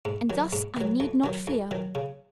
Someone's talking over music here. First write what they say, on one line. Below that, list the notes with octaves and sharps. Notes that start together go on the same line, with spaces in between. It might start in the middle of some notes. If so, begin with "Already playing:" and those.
And thus I need not fear.
G#2
D#3 F#3
G#2
D#3 F#3
F2
D#3 F#3
F2
D#3 F#3
C#3